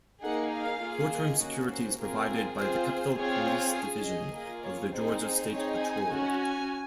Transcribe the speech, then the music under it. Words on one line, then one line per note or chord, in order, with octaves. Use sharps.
Courtroom security is provided by the Capitol Police Division of the Georgia State Patrol.
A#3 D#4 G#4 F#5
F5
A#3 F4 G#4
D#5
A#3 C#4 F#4
C5
C4 F4 G#4 A#4
C4 F4 G#4 C5
C4 F4 G#4 C#5
C#4 G#4
D#5
A#3 F4 G#4
C#5
C4 D#4 G#4 C5
C5
C4 D#4 G#4 C#5
G#5
C#4 F#4
G#5